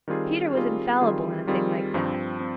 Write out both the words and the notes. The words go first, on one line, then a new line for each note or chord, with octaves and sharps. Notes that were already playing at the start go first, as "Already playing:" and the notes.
Peter was infallible in a thing like that.
D#3 G3 C4 F4 G#4
D#3 G3 C4 F4 G#4
D#3 G3 C4 F4 G#4
D#3 G3 C4 F4 G#4
G2 F3 C4
C4